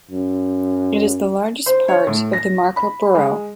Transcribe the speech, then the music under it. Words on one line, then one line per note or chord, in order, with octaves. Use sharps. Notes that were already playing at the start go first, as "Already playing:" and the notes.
It is the largest part of the Marka borough.
F#2
C5
C#5
A2
A#6
B5
G#3